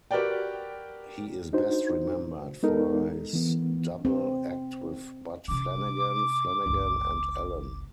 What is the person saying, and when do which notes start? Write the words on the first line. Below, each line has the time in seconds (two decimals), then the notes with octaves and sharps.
He is best remembered for his double act with Bud Flanagan, Flanagan and Allen.
0.11 F#4 G4 A#4 B4 D5 G5
1.53 D4 D#4 F#4 C5
2.63 G#3 B3 D#4 A4 A#4
3.33 E3 B3
4.05 C4
5.48 C3 C#4 D6
6.66 G1 C#2